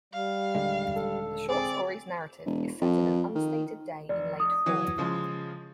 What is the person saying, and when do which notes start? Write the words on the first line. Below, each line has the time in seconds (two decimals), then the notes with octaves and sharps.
The short story's narrative is set in an unstated day in late fall.
0.13 G3 F5
0.55 D#1 D3 G#3
0.96 A4
1.49 C4 G#4 D5
2.46 E1
2.81 F2
3.35 D#3
4.09 F1 D5
4.40 D#6
4.66 E3 F#3
4.98 C#3 F3 G#3